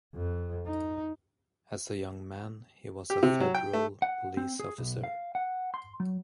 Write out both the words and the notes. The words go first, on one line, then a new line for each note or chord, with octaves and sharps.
As a young man he was a federal police officer.
F2
D#4
G4
C3
F#3
G5
A3
F#5
C4
G#4
B1
F5
F#5
C6
F#3